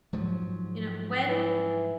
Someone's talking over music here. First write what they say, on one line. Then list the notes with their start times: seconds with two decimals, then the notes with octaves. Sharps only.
you know, when
0.13 G#2 F3 F#3
1.28 E3